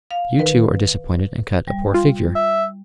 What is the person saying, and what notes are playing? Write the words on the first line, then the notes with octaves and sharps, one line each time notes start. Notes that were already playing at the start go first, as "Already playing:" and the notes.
You, too, are disappointed and cut a poor figure.'
F5
D#3 B4
G3
F4
E5